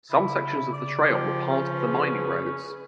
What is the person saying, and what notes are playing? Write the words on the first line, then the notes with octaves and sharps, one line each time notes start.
Some sections of the trail were part of the mining roads.
C#3 E4
D5
F3 G4
C#4 G#4 B4